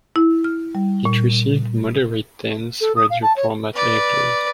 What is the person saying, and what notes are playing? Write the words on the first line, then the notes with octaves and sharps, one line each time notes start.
It received moderate dance radio format airplay.
E4
F6
G3
A#2
A4
D#6
F5
A5
C#5
B4 D5